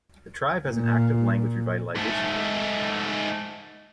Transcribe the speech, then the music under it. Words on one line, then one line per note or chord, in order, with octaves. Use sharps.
The tribe has an active language revitalization program.
A#2
G#2 A3